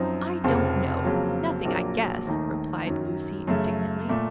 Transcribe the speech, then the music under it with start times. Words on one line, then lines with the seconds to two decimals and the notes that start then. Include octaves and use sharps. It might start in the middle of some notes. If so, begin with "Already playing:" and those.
"I don't know; nothing I guess," replied Lucy, indignantly.
Already playing: F#2 F3 C4 D#4
0.44 F1 F2 C#3 F3
1.04 F2 C#3 F#3 A#3
1.65 A#1 A#2 F#3 A#3
2.26 D#2 D#3 A3 D#4
2.87 F#2 D#3 F#3
3.47 F#2 C#3 A3
4.09 A#2 A3